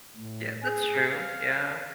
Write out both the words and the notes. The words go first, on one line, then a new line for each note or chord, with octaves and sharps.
Yeah, that's true, yeah.
A2
G#4
F5